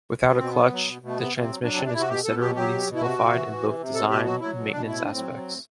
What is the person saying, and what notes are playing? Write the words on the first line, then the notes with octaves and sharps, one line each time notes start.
Without a clutch, the transmission is considerably simplified in both design and maintenance aspects.
B2 B3
B2 C4
F#3 B3
F#3
B2
B2 A3
C3 B3
C3
C4
F#3
F#3 D4
C3 C4
D4
C3 E4
F#4
B2 G4
B2 A4
F#3 G4
F#3 G4
B2
B2
E4
C3 F#4
C3
E3
E3
C3
C3
B2 A4
B2 G4
F#3 F#4
F#3 E4
B2
B2 D4
A2 E4
A2 D4
C4
F#3
F#3
A2